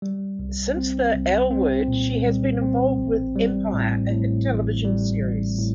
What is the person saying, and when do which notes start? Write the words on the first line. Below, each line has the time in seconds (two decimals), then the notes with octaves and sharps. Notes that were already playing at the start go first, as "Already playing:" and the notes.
Since the "L Word," she has been involved with "Empire," a hit television series.
0.02 G3
0.39 C2
0.77 C4
1.13 C2
1.51 C4
1.88 A#2
2.25 G3
2.61 C4
2.99 A1
3.36 G3
3.73 A2
4.10 A2
4.47 A1
4.85 G3
5.22 A1
5.58 A2